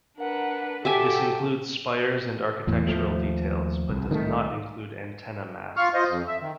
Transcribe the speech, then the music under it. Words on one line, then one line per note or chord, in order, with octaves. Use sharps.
This includes spires and architectural details but does not include antenna masts.
D4 A#4 B4 F#5
F#4 G4 A4 E5 G5 G#5
E2 A2
D#2 F3 A3
C2
C2 D#3 F#3 A3
F4 F5 C#6 F6
F4 C5 D#5
F2
E5
D#3